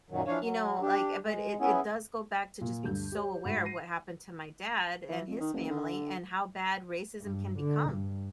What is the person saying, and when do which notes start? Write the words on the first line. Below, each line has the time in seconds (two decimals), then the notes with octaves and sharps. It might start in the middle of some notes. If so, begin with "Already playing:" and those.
you know, like but it it does go back to just being so aware of what happened to my dad and his family, and how bad racism can become,
0.10 F#2 A#2 D#3 F#3
0.27 E3 F3 D4 C#5 F5
0.41 F#3
0.81 D4 G4
1.23 G#3
1.60 B3 C#4 E4 G#4
2.61 A#2
2.83 D2 G2 G6
3.12 G4 C#5
3.45 G#2 F#4 F#5 B5
3.65 A#6 C7 D#7
5.09 E3
5.27 F2
5.40 D#3
5.53 F#1
5.71 D3
7.21 G2
7.59 D3
7.91 G2